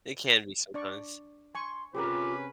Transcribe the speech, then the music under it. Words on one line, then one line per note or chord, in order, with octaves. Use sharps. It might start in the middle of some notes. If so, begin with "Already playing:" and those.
It can be sometimes.
D4 D5 C#6
G#5 C6 C#6
C3 C#4 F4 G4 G#4 A#4 B4 D6